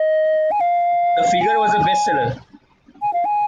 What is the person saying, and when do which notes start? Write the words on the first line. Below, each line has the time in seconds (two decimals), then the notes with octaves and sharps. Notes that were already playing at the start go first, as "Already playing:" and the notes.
The figure was a best seller.
Already playing: D#5
0.51 G#5
0.61 F5
1.41 G#5
3.02 G#5
3.13 F5
3.25 G#5